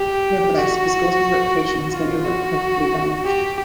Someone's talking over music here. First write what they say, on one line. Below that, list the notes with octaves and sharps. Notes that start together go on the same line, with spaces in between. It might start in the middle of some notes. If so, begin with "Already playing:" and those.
Nevertheless, Piskorski's reputation has been irrecoverably damaged.
Already playing: G4
F#4
F4
F#4
G4